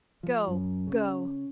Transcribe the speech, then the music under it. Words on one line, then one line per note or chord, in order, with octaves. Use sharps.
Go! go!
F3
F#2
C#3